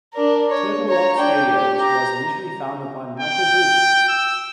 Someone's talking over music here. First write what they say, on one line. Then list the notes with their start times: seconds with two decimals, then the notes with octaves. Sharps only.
Turtle Rock Studios was initially founded by Michael Booth.
0.13 D4 A#4
0.50 C#5
0.89 C#5 A#5
1.17 D4 G5
1.46 G4
1.80 A#5
3.20 G5
4.09 E6